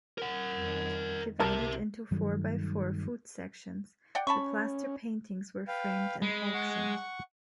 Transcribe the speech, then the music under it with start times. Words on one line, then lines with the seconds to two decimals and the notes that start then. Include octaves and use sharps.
Divided into four-by-four foot sections, the plaster paintings were framed and auctioned.
0.18 A#4 F#5
0.55 F2 D#3
1.40 C2 G4 A#4 E5 A5
2.11 G2 D#3 F#3 A3
4.15 D5 F#5 G5
4.27 C#4 A5 B5 C#6
5.68 B4 F5 G5
6.22 G#3 B5
6.54 F#5 C#6